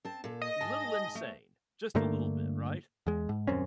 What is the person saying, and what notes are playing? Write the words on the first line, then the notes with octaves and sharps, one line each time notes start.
Little insane, just a little bit, right?
C4 A5
A#2 A4
D#5
G#2 G#5 A5
A3
G2 D3 A3 A#3
E2 G#3
G#2
D#1 F#2 C4 C#4